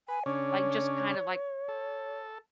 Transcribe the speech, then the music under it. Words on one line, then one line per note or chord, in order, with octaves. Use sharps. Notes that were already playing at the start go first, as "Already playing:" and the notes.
Like, just kind of, like
B4 G#5
C#3 C#4 D4 C#5
A4